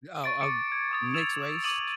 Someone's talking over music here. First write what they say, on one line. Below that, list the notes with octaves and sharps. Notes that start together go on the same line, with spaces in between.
Oh, um, mixed raced?
C#6 A6 D7
C#6 D6 C#7 D7
G#6
D6 D#6 A6
E6 E7 F7
D6 D#6 D#7 E7 F#7